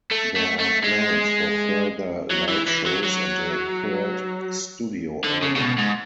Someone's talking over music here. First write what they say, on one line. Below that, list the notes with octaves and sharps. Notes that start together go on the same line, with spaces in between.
There are plans for further live shows and a third studio album.
A3
A3
A3
G#3
F#3
E3
E3
F#3
F#3
D3
C#3
C#3
B2
G#2